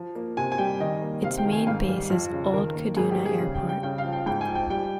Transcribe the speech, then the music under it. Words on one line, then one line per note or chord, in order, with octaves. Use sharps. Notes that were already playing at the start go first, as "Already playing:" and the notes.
Its main base is Old Kaduna Airport.
Already playing: F3
A#3
C3 G#5
G#5
G3 G5
D#3 D#5
A#3
C3 F5
G5
D#3
G#5
G#2 F5
G3
F2
C#3
D#3 A#4
A#3
G#2 G#4
G4
G3
G#4
C#3
G5
G3
G5
C#3 G5
F5
F3
G5
G#2 G5
G#5
F3
G5
G3 G5